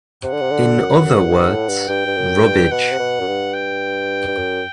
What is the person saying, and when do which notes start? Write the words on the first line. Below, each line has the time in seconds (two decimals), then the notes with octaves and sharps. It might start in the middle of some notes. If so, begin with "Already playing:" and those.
In other words, rubbage.
0.23 C3 F#5
0.33 D3
0.41 C3
0.50 D3
0.79 F#2
1.05 F#2
1.27 G2
1.47 A2
1.68 G2
1.88 G2 G5
2.06 G2
2.16 F#2
2.44 G2
2.71 B2 F#5
2.92 C3
2.99 B2
3.20 F#2
3.27 G2
3.54 G5
4.27 G2
4.37 F#2